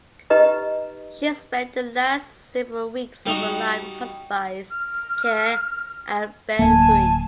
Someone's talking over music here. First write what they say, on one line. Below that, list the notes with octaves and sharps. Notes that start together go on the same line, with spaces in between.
She spent the last several weeks of her life in hospice care at Bellevue.
D#4 G4 B4 D#5 A#5
G3 D#4 F#4
F6
D1 A#3 G#5 A5